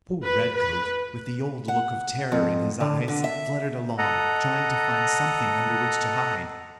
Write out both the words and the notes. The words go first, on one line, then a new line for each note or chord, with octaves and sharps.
Poor Redcoat, with the old look of terror in his eyes, fluttered along, trying to find something under which to hide.
B4
B4
F#5
F2
D3
D3
E5
A4 D#5 F#5 A#5